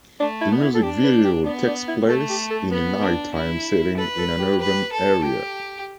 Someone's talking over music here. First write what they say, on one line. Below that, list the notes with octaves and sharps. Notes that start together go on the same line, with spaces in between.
The music video takes place in a nighttime setting in an urban area.
A3 D4
E4
B3
D4
E4
A4
D4 G4
B4
G4
B3 D4
D4
E4
A3 A4
G4
A4
B3 B4
D4
E4
A4 B4
A4
G4
B4
A4
G4